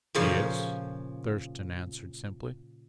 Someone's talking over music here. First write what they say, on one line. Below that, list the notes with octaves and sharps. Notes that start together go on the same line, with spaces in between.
"Yes," Thurston answered simply.
A#2 C#3 F3